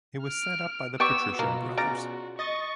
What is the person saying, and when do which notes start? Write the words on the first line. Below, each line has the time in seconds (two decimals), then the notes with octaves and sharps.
It was set up by the Patrician Brothers.
0.24 F6 D7
1.00 B3 G4 D5 C#6 E6
1.39 B2 A#3 F4 F#4
1.77 C#3 D5 A#5
2.39 D#5 C#6 A6